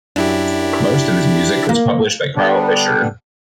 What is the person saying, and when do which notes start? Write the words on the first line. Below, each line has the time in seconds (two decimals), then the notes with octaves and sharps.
Most of his music was published by Carl Fischer.
0.16 F#2 D4 E4 G4
1.69 A#3
2.36 D3 G3 B3 D4